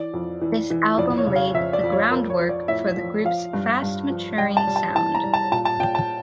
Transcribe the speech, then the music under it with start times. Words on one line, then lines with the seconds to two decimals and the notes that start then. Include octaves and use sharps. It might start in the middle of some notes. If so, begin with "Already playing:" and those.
This album laid the groundwork for the group's fast maturing sound.
Already playing: E3 D5
0.13 F2
0.41 E3
0.70 E3
0.98 F2 D5
1.18 C#5
1.27 C#3
1.36 F5
1.54 F2 E5
1.73 D5
1.83 F2
1.92 C#5
2.11 F3 A#4
2.30 C#5
2.39 F3
2.49 D5
2.68 A2 E5
2.97 F3
3.24 F3 F5
3.53 G2
3.82 G2
4.10 F3
4.38 G3 G5
4.57 A5
4.67 G3
4.76 A5
4.95 E3 A5
5.15 A#5
5.24 G3
5.34 A5
5.52 A#2 A5
5.65 A5
5.80 A#2 G5
5.95 A5